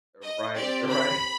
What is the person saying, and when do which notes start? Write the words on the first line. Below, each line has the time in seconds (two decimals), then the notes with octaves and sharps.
R right, right,
0.22 D#5
0.55 C4 G4 D5
0.89 B5